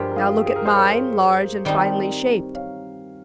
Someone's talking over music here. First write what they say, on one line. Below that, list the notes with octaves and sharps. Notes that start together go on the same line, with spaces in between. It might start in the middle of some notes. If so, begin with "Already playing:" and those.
Now, look at mine, large and finely shaped.
Already playing: G2 F3 G#3 G4 A#4
A#4
F4 G#4
G#4
A#4
C5
A#4 C#5
D#3 G3 C4 D#4
C#5 F5